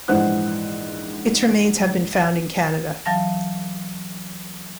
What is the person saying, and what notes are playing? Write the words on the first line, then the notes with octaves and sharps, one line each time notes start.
Its remains have been found in Canada.
A#1 G#2 E3 C5 F#5 F#6
E3 F#3 F5 A5 A#6